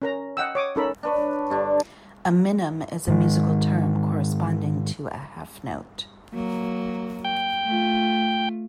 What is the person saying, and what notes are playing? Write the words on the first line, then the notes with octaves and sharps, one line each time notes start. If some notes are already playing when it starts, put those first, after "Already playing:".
A minim is a musical term corresponding to a half note.
C#4 A#4 A#5
D#5 F#5 G5 E6
C#5 D6 D#6
C#4 D#4 A4 A#4 B5
D4 B4 C#5
G2 D3 D4
G#2 D#3 G#3
F#3 A#3
G5
A3 F4